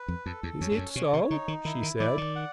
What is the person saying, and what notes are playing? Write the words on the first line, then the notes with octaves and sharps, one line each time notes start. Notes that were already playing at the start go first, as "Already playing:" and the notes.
"Is it so?" she said.
Already playing: B4
F2
F2 A4
E2
F2 C#4
G2
F#2
B2 C#5
C3
D3 D#4
D#3
D#3 E4
D#3
E3 D5
D#3
F#5